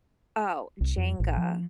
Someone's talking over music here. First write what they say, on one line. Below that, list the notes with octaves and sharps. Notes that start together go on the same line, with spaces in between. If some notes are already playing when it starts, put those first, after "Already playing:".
Oh, Jenga.
C2
F2
A1
F3